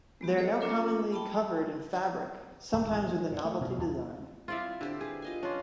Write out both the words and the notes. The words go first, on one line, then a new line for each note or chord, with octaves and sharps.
They are now commonly covered in fabric, sometimes with a novelty design.
G#3 B3 G4
G#4 A4 C5 C#5 D#5
A#3 C#4 F4 A4 A#4 D6
G5 A5 B5
D1
A1
F#2
A#2
A3
B2
D#2
C4 E4 F4 D5 E5 F5
D3 G4 C5
G#4 B4
F4 D#5 G#5
C#4 D4 F4